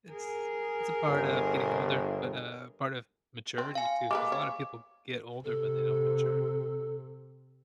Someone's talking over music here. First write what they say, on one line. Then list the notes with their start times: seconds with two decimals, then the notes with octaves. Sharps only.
it's it's a part of getting older, but a part of maturity, too 'cause a lotta people get older but they don't mature.
0.12 G#4 A#4
1.08 G1
3.58 C4
3.75 F5 G#5
4.11 G#3 A#3 B4 D6
4.32 C#5
5.44 C3 A4